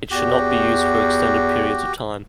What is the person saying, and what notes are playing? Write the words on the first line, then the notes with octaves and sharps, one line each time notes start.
It should not be used for extended periods of time.
E2 F#4 G4